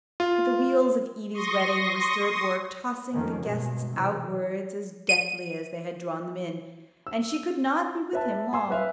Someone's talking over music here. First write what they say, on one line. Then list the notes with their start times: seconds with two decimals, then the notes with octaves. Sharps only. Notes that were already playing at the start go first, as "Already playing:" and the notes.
But the wheels of Evie's wedding were still at work, tossing the guests outwards as deftly as they had drawn them in, and she could not be with him long.
0.20 F4
1.32 C6 C#6 D#6 A#6
3.11 F2 D#3 A3 A#3 C#4
3.40 G2 B2 G#3
3.91 C3 E3
5.09 D#7
7.07 E6
8.13 B4 E5 A5
8.53 G#5 C6 E6
8.70 B4 E5 F5